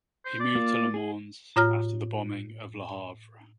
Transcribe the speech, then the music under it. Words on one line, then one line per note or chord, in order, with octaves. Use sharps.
He moved to Le Mans after the bombing of Le Havre.
C5
D5
A#3 F4
G#4
A2 F4 C#5 A#5 F6